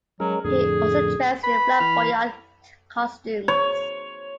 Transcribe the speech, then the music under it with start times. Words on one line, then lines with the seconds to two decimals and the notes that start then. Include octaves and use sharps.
He also dressed in flamboyant costumes.
0.20 F#3 G#3 C#4 A#4
0.45 F2 A2 D3 G#4
1.44 B4 B5
1.80 E3 F6
3.48 C#5